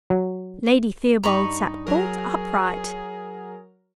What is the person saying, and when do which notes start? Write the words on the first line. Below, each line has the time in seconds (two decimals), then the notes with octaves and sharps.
Lady Theobald sat bolt upright.
0.10 F#3
1.24 G2 D#4 A#5 B5 C#6
1.87 F#3 G#4 A#4